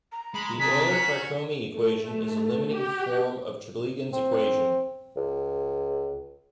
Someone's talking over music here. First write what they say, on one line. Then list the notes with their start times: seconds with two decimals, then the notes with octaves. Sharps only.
The Euler-Tricomi equation is a limiting form of Chaplygin's equation.
0.12 A#5
0.34 G#3 B5
0.59 C3 D4 G#4 B6
0.89 C#4 F#4
1.76 A3
2.76 G4
4.13 C4
5.17 C#2